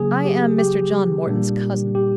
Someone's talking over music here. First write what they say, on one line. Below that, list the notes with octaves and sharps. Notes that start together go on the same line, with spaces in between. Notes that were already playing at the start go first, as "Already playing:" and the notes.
"I am Mr. John Morton's cousin."
Already playing: C#3 F#3 A#3 G#4
G4
G4
A#2 G3 A#3 D4
G4